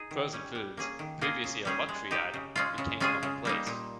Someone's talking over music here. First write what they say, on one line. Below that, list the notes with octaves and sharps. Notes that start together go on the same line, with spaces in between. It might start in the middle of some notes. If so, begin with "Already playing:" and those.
Frozen foods, previously a luxury item, became commonplace.
Already playing: D#4 G#4
D#3
G3 C#4
G3
A#3 C#4 G#4
D#3
A#3 F4 G#4
C#3
G3 C#4 G#4
G#3
D#4 G4
C#3
G#3 C#4 F4
C#3
G#3 C#4 F4 G#4
C#3
G3 A#3 D#4
A#2